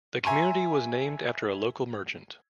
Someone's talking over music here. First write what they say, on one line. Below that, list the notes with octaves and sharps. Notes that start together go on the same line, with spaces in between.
The community was named after a local merchant.
E5 G#5 A#5 C6 C#6